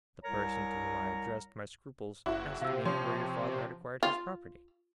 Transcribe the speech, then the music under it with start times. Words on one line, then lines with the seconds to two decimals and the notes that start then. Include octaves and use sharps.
The person to whom I addressed my scruples asked me where your father had acquired his property?
0.24 C2 A#4 C#5 A#5
2.26 F#1 E4 F#4
2.61 C3 F5 E6
2.85 F3 C#4 C6
4.03 F4